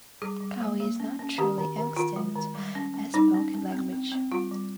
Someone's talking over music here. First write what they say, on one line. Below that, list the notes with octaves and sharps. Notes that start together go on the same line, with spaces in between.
Kawi is not truly extinct as a spoken language.
G3 G#4
G3
A#3
A#3
C#4
C#4
D#3 G4
D#3
D#3
D#3 F4
G#3
D#3
G3
C#4
C#4
G3 D#4
C#4
C#4
C4
C4
C4
G3 F4
G3